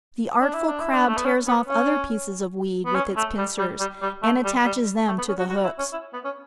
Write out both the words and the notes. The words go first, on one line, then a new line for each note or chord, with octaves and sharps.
The artful Crab tears off other pieces of weed with its pincers, and attaches them to the hooks.
D4
E4
D4
E4
D4
A3
B3
C#4
B3
C#4
B3
C#4
A3
G3
G3
G3
G3
A3
G3
G3
A3
B3
C#4
F#4
F#4
E4
C#4
E4
B3
C#4